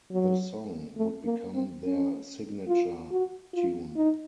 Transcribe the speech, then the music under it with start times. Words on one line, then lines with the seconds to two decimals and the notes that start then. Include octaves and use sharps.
The song would become their signature tune.
0.11 F#3
0.97 A3
1.25 A#3
1.54 C4
1.83 C#4
2.68 F4
3.11 F#4
3.54 F4
3.97 D#4